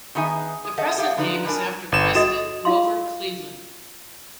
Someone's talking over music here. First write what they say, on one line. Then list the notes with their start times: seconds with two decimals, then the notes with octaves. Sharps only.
The present name is after President Grover Cleveland.
0.15 D#3 B3 D#4 G#4 E5 G#5
0.65 G#4
0.78 G#4 A4 C5 D#5 E5 F#5
0.98 G4 G#4 F5 F#5
1.17 D3 F3 D#4 B4 D5
1.45 F2 G3 D4 A#4 G#5
1.92 G1 E7
2.15 F#4 A4 D#5 E7
2.65 F4 F5 C6